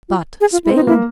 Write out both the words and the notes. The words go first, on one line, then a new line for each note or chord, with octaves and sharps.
But Spain?
F4
G#4
F4
E4
C4
D#4
B3
A#3 E4